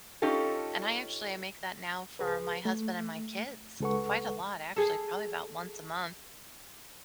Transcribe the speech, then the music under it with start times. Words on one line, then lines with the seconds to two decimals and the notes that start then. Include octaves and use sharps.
And I actually, I make that now for my husband and my kids quite a lot, actually, probably about once a month.
0.22 C#4 D#4 F4 G4 A4
2.19 C#2 G#4 B4
2.65 A3
3.81 C#2 G#3 A4 B4 F#5 C#6
4.76 G#4 A4